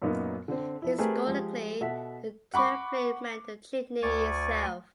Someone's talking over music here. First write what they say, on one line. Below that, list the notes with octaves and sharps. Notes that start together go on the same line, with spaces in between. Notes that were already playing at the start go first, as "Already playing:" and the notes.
Historically the term flue meant the chimney itself.
F#2 A#2 F#3 A#3 B3 D#4
D3 C4
F3 E4
A3 C4 G4 G#4 A#4 B4
F3 G#3 G4
B2 A4 E5 F#5 B6
F#5 B5 C#6 D6
D2 D5 G#5 C#6 A6